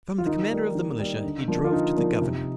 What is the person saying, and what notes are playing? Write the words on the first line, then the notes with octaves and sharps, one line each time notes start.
From the commander of the militia he drove to the governor.
F4
D#3 D#4
G3 A#3
D#3
G3 A#3
D3
F3 A#3 D4
F4
D3 D#4
F3 A#3 D4
C3